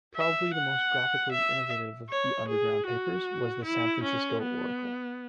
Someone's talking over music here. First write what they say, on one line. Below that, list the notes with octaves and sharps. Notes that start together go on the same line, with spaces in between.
Probably the most graphically innovative of the underground papers was the "San Francisco Oracle".
E5
F#5
E5
C#5
G#4
F#4
E4
C#4
B3